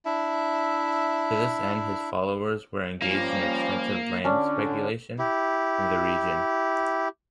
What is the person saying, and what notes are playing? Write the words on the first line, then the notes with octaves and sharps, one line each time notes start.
To this end, his followers were engaged in extensive land speculation in the region.
D4 E4 E5
F3 G3 A#3 C#4 F4
D3 C#4 D4 D5
E4 G4